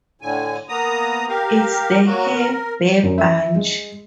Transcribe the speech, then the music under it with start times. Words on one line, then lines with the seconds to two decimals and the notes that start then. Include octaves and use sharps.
It's the Hair Bear Bunch!
0.22 A2 D3 G#5
0.69 A#3 B3 A#5 D#6
1.28 G4 A#4 F5
2.06 F#3 A#3 F#4
2.34 A#4
3.03 F#2
3.18 E5
3.55 G#3